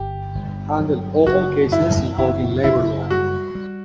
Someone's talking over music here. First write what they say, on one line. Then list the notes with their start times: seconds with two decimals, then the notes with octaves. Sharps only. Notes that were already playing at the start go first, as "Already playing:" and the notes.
Handle all cases involving labor law.
Already playing: G1 G4
0.35 G1
0.81 F#3
1.26 F#1 F#4
1.72 F#2 E4
2.18 F#1 E4
2.64 F#1 E4
3.10 G3 F#4
3.55 G3